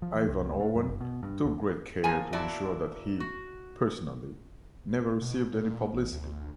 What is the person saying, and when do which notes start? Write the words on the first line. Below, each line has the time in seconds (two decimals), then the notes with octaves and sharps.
Ivan Owen took great care to ensure that he, personally, never received any publicity.
0.02 F3
0.16 E3
0.29 C2
0.45 C#2
0.60 A2
0.76 F#2
0.89 F#1
1.01 B2
1.23 G2
1.45 D2
2.04 F3 A#3 G#5
2.33 A#2 E4 F#4 D5 A5
3.20 F#4
5.22 B2
5.52 A#2
5.93 A1
6.12 D2